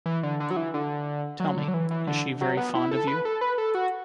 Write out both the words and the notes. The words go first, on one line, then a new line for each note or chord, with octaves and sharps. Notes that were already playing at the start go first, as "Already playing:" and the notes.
Tell me, is she very fond of you?
E3
D3
D3
F#3
E3
D3
F#3
D3
F#3
E3
E3
D3
F#3
B3
E4
A4
B4
A4
B4
A4
F#4